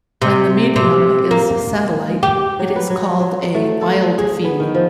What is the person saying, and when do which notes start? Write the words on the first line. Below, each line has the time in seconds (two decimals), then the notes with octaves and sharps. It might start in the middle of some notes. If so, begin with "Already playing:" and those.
When the medium is satellite, it is called a wildfeed.
0.22 C3
0.76 C3
1.31 A#3
2.23 G4
2.59 F#3
2.76 B4
2.90 F#3
3.20 F#3
3.55 A3
3.81 A4
4.18 G#4
4.44 B3
4.60 D#3
4.75 F3